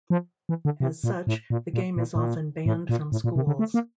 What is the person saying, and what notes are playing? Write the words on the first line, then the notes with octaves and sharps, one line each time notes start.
As such, the game is often banned from schools.
F3
E3
D3
C3
A#2
A2
A#2
A#2
A#2
A2
A#2
A2
A#2
A2
A#2
C3
D3
A3
A#3